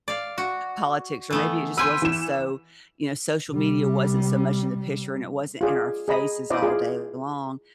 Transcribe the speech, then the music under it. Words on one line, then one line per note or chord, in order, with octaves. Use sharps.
politics or maybe it just wasn't so you know, social media wasn't so much in the picture, and it wasn't in our faces all day long.
D5 F5
F#4
E3 A3 B3
B4 G5 G#5 C6 E6
E3 E7
C3 G3
F4 G#4 D5
G#4 D#5 B5
E4 C5 D5 D#5
F4 G#4